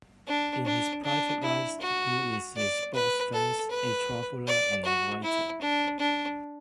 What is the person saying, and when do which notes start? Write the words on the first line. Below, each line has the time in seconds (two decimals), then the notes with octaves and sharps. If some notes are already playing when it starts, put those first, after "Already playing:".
In his private life, he is a sports fan, a traveller and a writer.
0.28 D4
0.66 D4
1.04 D4
1.43 E4
1.80 F#4
2.57 D5
2.94 B4
3.33 A4
3.71 B4
4.47 D5
4.85 F#4
5.24 E4
5.61 D4
6.00 D4